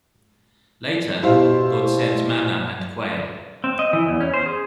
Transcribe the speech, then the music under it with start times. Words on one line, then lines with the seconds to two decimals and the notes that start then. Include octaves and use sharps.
Later God sends manna and quail.
1.23 B2 G3 E4 C5 F5
3.64 C4
3.79 D#5
3.93 E3
4.08 E2
4.20 C#4
4.34 C5
4.46 G#4